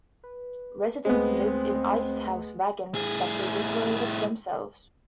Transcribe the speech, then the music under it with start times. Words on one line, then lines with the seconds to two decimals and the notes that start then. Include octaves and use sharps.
Residents lived in ice house wagons that they decorated themselves.
0.24 B4
1.05 D2 G#3 A3 B3 C4
2.94 A2 G#4